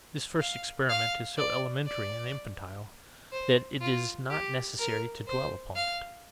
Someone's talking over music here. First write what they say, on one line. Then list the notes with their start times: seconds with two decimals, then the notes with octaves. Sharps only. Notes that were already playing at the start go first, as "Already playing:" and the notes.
This first experiment is so elementary and infantile that it is not necessary to dwell upon it.
0.40 F5
0.89 F5
1.38 D5
1.87 D5
3.32 C5
3.81 F4
4.30 G4
4.79 A#4
5.28 C5
5.76 F5